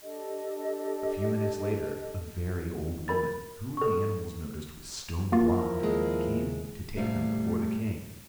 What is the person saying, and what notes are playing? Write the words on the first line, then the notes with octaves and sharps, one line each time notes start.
A few minutes later, a very old woman, who, the animals noticed, was stone-blind, came to take them before the king.
D4 G4 A4 D#5
A#4 B5 A6
A4 C#6
F3 A#3 E4 F4 A#4
D#2 G#3
A2 C3 G3 A3 F5